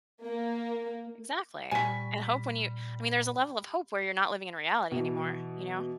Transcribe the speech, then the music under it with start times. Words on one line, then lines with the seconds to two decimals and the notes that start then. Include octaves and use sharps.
Exactly, and hope when you I mean, there's a level of hope where you're not living in reality anymore, you know?
0.23 A#3
1.71 A#2 G3 G#5 C#6 B6
4.91 B2 E3